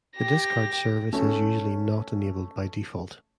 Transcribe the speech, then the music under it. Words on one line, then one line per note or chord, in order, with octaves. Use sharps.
The discard service is usually not enabled by default.
G4 A#6
A3 C#4